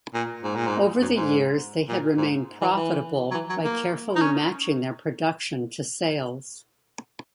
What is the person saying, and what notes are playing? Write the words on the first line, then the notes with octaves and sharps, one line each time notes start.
Over the years they had remained profitable by carefully matching their production to sales.
A#2
G#2
A#2
G#2
F#2
G#2
A#2
G#2
E3
E3
F#3
E3
F#3
A#3
D#4
C#4